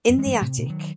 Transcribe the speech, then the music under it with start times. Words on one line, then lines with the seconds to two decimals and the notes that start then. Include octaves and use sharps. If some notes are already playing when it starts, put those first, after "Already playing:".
In the attic.
0.09 F#2
0.18 E3 G#3
0.26 G2
0.41 A2 C3
0.58 A#2
0.66 D#3 F#3